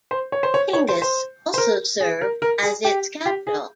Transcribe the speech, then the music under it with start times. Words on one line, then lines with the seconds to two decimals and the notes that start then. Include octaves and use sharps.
Tingis also served as its capital.
0.11 C5
0.32 C#5
0.43 C5
0.54 C#5
0.73 C#5
0.89 C5
1.02 C5
1.54 C5
1.58 A#4
2.00 G#4
2.21 A#4
2.42 A#4
2.63 G#4
2.84 G4
3.26 G4
3.47 G#4